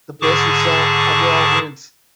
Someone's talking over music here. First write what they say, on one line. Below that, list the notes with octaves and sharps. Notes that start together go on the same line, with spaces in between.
The best result overall wins.
G#2 D3 G#4 A5 C#6 D6